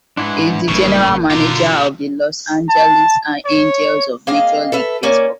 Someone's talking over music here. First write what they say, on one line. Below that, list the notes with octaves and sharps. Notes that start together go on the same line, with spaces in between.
He is the general manager of the Los Angeles Angels of Major League Baseball.
G#2 D4 E4 B4
F#1 A2 C#3 A#3
B2 D3 F4 G4 A#4
A5
C#5
A#3 C4 G#4 D#5 F5
A4 B4 E5
A#3 C#4 D5